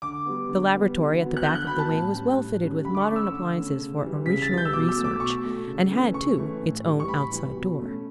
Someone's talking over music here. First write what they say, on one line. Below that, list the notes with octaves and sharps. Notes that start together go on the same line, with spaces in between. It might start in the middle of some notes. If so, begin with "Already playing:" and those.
The laboratory, at the back of the wing, was well fitted with modern appliances for original research, and had, too, its own outside door.
D3 D6
G3 B3
D3
G3 B3
D3
F#3 B3
F#6
D3 G6
F#6
F#3 B3 B5
A5
A2
G3 C#4
A2
G3 C#4
D3 B5
D6
C#6
A3 C#4
E6
D3
A3 C#4
C#3
E3 G3
C#3 B6
A6
E3 G3
G6
E6
B2 D6
E6
F#3 A3
D6
B2 C#6
F#3 A3
C#3
E3 A3 C#4
C#3 C#6
E3 A3 C#4
A2
E3 G3
C#6
A2 B5
E3 G3
B2
A3 C#4